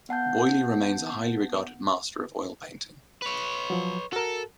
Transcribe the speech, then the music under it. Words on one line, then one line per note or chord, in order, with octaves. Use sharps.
Boilly remains a highly regarded master of oil painting.
B3 F#5 A5 G6
B4 C#5
F3 F#3
F#4 A4 A#4